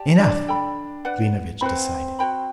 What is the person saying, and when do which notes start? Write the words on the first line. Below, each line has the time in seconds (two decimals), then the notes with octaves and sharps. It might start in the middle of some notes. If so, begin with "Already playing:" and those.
"Enough!" Klinevitch decided.
Already playing: G4 D5 A5
0.19 D4
0.48 A4 D5 G5 B5
1.05 B4 D5 F#5
1.61 C4 B4 F#5 B5
2.19 F#4 C5 G5 B5